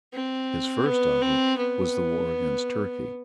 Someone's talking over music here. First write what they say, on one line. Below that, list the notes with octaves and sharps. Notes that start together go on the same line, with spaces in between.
His first object was the war against Turkey.
C4
B3
C4
B3